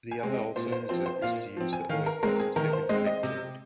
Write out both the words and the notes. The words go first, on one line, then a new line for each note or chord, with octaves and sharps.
The other alternative is to use the Earth as the second electrode.
G#5
G#3 C4
D#5
A#2 C5
C5
F3 C4 C5
C5
A#2 F5
F3 C4
G#5
D#3 F5
A#4
G#3 C4 A#4
G#4
D#3 A#4
C5
G#3 C4 D#5
D#5
C3